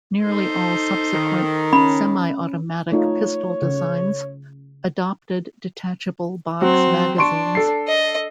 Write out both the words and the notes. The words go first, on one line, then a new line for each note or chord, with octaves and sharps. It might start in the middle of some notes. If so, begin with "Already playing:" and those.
Nearly all subsequent semi-automatic pistol designs adopted detachable box magazines.
D#4 A4 C5
D#3
C#4 B5
A3 D#4 F4 C#5
C#3
F#3 C4
D4 C6 C#6 D7
A4 C7
D#5